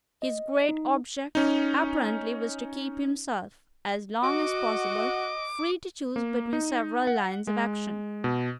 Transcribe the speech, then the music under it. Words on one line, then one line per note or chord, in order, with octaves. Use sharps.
His great object, apparently, was to keep himself, as long as possible, free to choose between several lines of action.
D#5
D#4
C#4 D#4
F#4 D#5 D6
A#3
D#4
F#5
G#3
B2